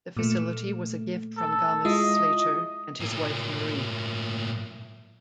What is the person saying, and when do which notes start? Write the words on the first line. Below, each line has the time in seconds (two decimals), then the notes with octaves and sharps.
The facility was a gift from Games Slayter and his wife Marie.
0.17 A#2 A3
1.37 A4
1.85 G#3 E4 F4 D#5
3.00 A2 A#3